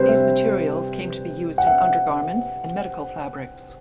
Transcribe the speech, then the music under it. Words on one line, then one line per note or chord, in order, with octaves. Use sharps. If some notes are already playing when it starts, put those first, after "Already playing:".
These materials came to be used in undergarments and medical fabrics.
Already playing: C3 G3 B4 C5
E5
F#5
E5